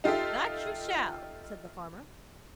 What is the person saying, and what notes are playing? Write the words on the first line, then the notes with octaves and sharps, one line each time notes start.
'That you shall,' said the farmer.
D#4 F4 G4 A4 E5